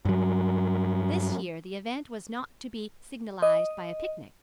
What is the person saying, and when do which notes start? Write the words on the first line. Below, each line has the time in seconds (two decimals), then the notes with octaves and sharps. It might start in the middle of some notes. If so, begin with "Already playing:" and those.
This year the event was not to be signalised by a picnic.
0.05 G2 F#3
3.42 D#5